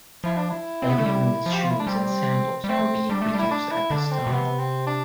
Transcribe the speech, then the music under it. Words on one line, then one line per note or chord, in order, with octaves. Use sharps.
Only women's shoes and sandals are being produced at this time.
F3 E4
D4
E4
C4
B3
A3
G3
F3
G4
F4
E4
D4
G3 C4
G3
A3 C4
G3 D4
A3
G3 E4
D4
E4
D3 D4
C4
B2
C3 B3
C4
D4